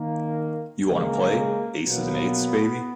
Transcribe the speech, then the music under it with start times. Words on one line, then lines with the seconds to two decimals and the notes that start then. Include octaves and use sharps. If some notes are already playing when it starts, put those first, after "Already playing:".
You wanna play...Aces and eights, baby?
Already playing: D#3 A#3
0.86 C#3 G#3 A#3
1.83 B2 F#3 A#3 B3